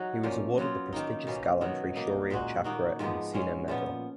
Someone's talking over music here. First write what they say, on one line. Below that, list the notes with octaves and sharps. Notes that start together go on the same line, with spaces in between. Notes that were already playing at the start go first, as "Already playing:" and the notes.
He was awarded the prestigious gallantry Shaurya Chakra and Sena Medal.
Already playing: F#3 D#4 F#4
A#2 F3 A#3 C#4
F#3 B3 F4
D#3 A#3 D#4
B2 A#3 C#4
D#3 F#3 B3
B2 A#3 D#4
A#2 G#3 D#4 F#4
D#3 A#3 D#4 F#4
G#2 F3 G#3 B3
B2 G#3 C#4
A#2 F3 B3